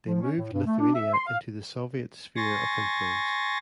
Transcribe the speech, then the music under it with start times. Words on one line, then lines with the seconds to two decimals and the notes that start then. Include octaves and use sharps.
They moved Lithuania into the Soviet sphere of influence.
0.07 F3
0.21 C#4
0.36 A2
0.53 G2
0.66 A3
0.80 D4
0.95 E5
1.13 C6
1.27 F5
2.36 G#5 C6 C#6 A6 A#6